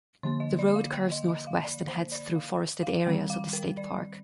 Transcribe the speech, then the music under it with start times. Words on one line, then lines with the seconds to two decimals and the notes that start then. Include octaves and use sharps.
The road curves northwest and heads through forested areas of the state park.
0.23 D3 F3 A#3 C6
0.40 D#5
0.59 D5
0.75 F5
0.93 G5
1.12 D#5
1.29 D#5
1.47 F5
1.64 D5
1.88 C5
2.12 D5
2.36 F5
2.83 F5
3.06 D#3 G3 C4 G5
3.30 F5
3.53 A#4
3.77 D5